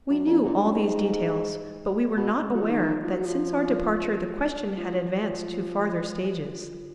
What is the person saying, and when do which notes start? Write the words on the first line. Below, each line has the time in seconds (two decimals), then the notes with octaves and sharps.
We knew all these details, but we were not aware that since our departure the question had advanced to farther stages.
0.10 F#2
0.26 F2
0.44 A#2
0.54 G#2
0.64 F#2
0.75 G#2
2.17 B2
2.55 F#3
2.61 F3
2.70 D#3
3.04 F3
3.14 F#3
3.24 F3
4.77 F3